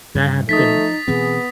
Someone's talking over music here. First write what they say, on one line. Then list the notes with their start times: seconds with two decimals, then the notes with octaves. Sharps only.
that had been
0.15 G2
0.49 F3 A3 D#4 D#6 A6 B6
1.08 B2 E3 B3 C4 G#4